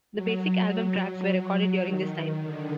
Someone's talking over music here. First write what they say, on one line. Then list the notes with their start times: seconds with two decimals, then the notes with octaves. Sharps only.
The basic album tracks were recorded during this time.
0.14 F#3
1.85 D#3
2.14 D#3
2.43 D3